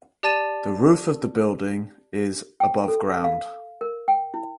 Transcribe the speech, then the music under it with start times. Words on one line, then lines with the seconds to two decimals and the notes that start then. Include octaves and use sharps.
The roof of the building is above ground.
0.23 G4 D5 A5 A6 D#7 E7
2.60 G5
2.88 A4
3.24 F5
3.81 A#4
4.08 G5
4.34 E4